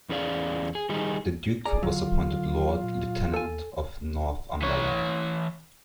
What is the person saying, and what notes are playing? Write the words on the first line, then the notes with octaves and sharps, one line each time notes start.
The Duke was appointed Lord Lieutenant of Northumberland.
E2 C#4 G#4 D5 F5
G#4
D#3 G3 D#4 G#4
G#4 D5 A#5
D3 F#3 F4
A#2
D#2 A4 G#5
E3 C#5